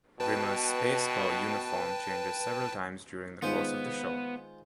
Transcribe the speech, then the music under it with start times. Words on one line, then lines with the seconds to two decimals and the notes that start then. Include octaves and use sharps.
Rimmer's Space Corps uniform changes several times during the course of the show.
0.20 B2 B4 G5 A5
3.42 D#3 G#3 B3 F4 C5